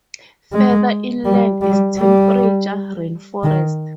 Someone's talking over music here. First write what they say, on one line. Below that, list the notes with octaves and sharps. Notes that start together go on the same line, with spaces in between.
Further inland is temperate rainforest.
G#3
G3
G3
G3
D#3